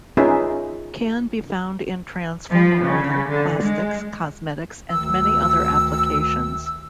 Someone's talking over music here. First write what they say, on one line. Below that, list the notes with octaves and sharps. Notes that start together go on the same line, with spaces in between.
Can be found in transformer oil, plastics, cosmetics, and many other applications.
C#4 D#4 F4 G#4 B4 E5
F3
C#3
D3
G#3
D2 D#3 E6